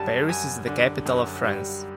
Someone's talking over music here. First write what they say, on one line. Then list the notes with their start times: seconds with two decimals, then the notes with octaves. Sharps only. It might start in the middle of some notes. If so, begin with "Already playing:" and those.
Paris is the capital of France.
Already playing: F#2 D3 G3 A5
0.29 F#2 G#5
0.67 D3
1.06 F#2
1.44 G3